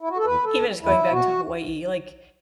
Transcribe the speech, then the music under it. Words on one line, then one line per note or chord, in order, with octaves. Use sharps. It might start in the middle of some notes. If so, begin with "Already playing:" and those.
even just going back to Hawaii, like,
E4
F#4
A4
E2 B4
A4
B2
E2 E4
B2 F#4